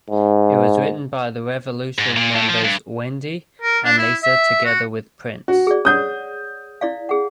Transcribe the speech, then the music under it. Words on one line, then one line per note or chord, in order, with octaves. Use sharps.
It was written by The Revolution members Wendy and Lisa together with Prince.
G#2
G#2
A#2
A2
F3
G2
A#4
D4
E4
E5
F#4
F#4
G#4 D5
C#5 F#5 D#6 G6
E4 D5 F5
G#4 F#5